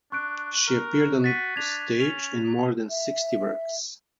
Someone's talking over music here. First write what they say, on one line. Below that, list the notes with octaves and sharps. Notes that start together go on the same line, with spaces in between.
She appeared on stage in more than sixty works.
D4 C#6 F#6 D7
A#4
F#4 A6 B6 D#7
D4 G#6 F7
C#4 F7
E5